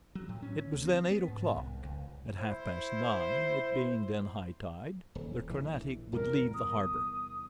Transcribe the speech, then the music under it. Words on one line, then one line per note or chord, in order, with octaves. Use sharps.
It was then eight o'clock; at half-past nine, it being then high tide, the Carnatic would leave the harbour.
F#3
A2
C#4
D2
C4
B3
G#2
C2
C#2
E4 C5
D#1
A#1 E3
E2 C3 G3 A#4
D#6